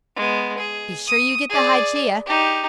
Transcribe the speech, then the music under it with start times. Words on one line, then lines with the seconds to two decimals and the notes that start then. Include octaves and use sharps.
Be sure you get the Hygeia.
0.16 G#3 B3
0.58 G#4
1.08 D#6
1.50 G#4 D5
2.26 D#4 G4